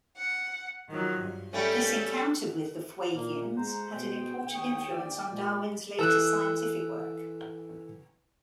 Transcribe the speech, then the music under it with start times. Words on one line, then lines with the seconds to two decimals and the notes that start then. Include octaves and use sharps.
This encounter with the Fuegians had an important influence on Darwin's later scientific work.
0.16 F#5
0.89 D#3 F3 F#3
1.21 G2
1.53 G3 A3 C#4 G5
1.95 A4
3.15 A#2 A#3 F6
3.57 G#3 C5 A#5
3.94 B2 G5
4.55 D#2 C#5 D#6
4.94 D5
5.31 A#2 G#3
5.99 E3 A4 E6 F#6